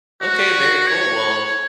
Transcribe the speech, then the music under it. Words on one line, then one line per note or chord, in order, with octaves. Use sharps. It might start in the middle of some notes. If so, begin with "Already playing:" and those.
Okay, very cool. Well,
F#4
C#5